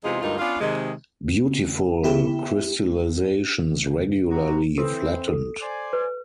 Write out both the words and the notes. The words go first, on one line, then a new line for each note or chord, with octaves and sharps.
Beautiful crystallizations regularly flattened.
E2 C3 G#3 D#4 F4 G#4
D2 G2 G#3 D#4 F4 A#4
B3 C#4 D4 F4
C3 D#3 G#3
B3 E4 G4
C3 F#4 A#5
E3 C4 A4
A4
C5 D5 G#5
B4